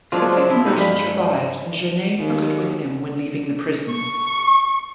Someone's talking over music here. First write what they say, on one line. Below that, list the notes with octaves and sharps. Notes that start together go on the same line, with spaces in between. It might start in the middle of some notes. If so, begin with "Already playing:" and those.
The second version survived and Genet took it with him when leaving the prison.
C#3 F3 F#3 G#3 D4 F4
F3 E4
B1 C3 A3 D#4 F#4
G2 G#3 G4 F5 B5
D#2
C#6